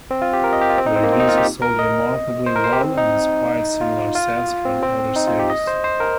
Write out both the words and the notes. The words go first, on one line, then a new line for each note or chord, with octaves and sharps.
The releases sold remarkably well and inspired similar sets from other series.
C4
F4
G4
A#4
D#5
G4
F4
C4
D#4
C4
A#3
C4
D#4
F4
G4
A#4
D#5
C5
A#4
C5
G4
C4
D#4
F4
F4
C4
C4
D#4
F4
G4
D#5
C5
C5
A#4